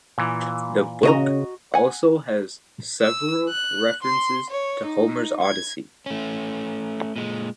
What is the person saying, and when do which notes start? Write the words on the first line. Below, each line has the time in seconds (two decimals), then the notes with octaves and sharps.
The book also has several references to Homer's "Odyssey".
0.18 A#2 E3
1.03 C#3 C#4 F#4 D#5 A#5
1.74 F#5 G#5
3.02 E6
3.49 F#6
4.03 C6
4.50 C#5
4.85 D#4
5.43 G#6
6.06 A3 C#4
7.16 A#2 G#3